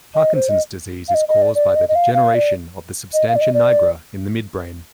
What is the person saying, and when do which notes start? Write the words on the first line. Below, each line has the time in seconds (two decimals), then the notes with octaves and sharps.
Parkinson's disease is caused by the degeneration of the substantia nigra in the midbrain.
0.15 D#5
0.35 C5
0.49 D#5
1.08 F5
1.14 D#5
1.28 D#5
1.42 D5
1.55 D5
1.75 D#5
1.89 D#5
1.95 F5
2.14 F5
2.35 D5
3.14 D#5
3.28 F5
3.35 D5
3.41 D#5
3.54 D5